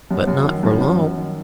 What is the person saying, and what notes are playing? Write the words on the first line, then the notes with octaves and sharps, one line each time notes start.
But not for long.
F#2
F#2
D#3
F#2
F#2
F#2
D#3